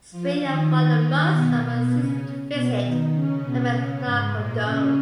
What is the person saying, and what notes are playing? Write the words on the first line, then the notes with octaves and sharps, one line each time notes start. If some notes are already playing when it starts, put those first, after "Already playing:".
Spring and fall are the most favorable seasons to visit Tabernacle Dome.
F3 F4
D#3 D#4
D#3 D#4
B2 B3
B2 B3
C#3 C#4
B2 B3
D#3 D#4
C#3 C#4
B2 B3
C#3 C#4
G#2 G#3
A#2 A#3
C#3 C#4